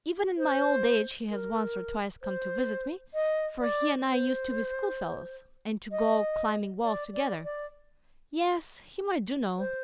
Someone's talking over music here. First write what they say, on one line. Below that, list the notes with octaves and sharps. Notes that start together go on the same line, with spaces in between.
Even in my old age he has once or twice come to visit me, for he and I used to be schoolfellows, and to go climbing walls together. Yes, him I do know.
C5
A#4
C5
D#5
D5
C5
D#5
D5
D5
D5
C5